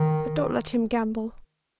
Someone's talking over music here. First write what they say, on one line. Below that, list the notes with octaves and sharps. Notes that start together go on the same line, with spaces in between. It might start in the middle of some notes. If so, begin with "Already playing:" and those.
But don't let him gamble.
Already playing: D#3